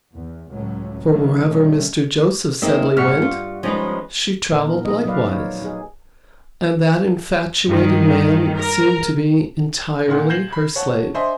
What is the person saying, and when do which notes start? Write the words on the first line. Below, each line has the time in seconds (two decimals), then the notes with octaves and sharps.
For wherever Mr. Joseph Sedley went, she travelled likewise, and that infatuated man seemed to be entirely her slave.
0.15 E2
0.52 C#2 A2 F#3 C#4
1.07 C3 D#3 E3 F#3 A3 A#3
1.44 B2 D#3 G3 A3 C#4
2.62 A#3 C4 D#4 G#4 E5
2.97 G2 A#2 F#4 F6 B6 C#7
3.22 F4
3.63 F3 G#3 C#4 D#4 B4
4.52 A#2 D#4 A#4
4.65 B3
4.85 F3 D#5
5.05 F#3 A3 B4 D5 F5
5.29 D#4 C#5
5.62 D#4 G#4
7.67 G2 D#3
8.57 A#4
10.08 A#2 D#3 F#5 C6
10.30 G6 G#6 A#6 C7 E7 F#7
10.52 B5
10.76 C#5 F#5 A5
11.14 D4 C5 D#5 E5 G#5 C6